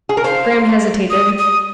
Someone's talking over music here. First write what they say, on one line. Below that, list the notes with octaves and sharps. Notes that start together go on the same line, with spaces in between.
Graham hesitated.
G#4
A#4
C5 F5
D#6
D#6